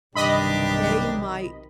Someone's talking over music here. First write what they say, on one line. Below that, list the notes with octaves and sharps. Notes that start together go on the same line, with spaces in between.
they might
B1 G2 C3 D#3 D4 G4 D#5 B5